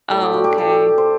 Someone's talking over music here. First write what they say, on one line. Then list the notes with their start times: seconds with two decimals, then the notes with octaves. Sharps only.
Oh, okay.
0.10 A2 G3 A4
0.22 G4
0.34 F#4
0.44 G4
0.58 A4
0.98 C5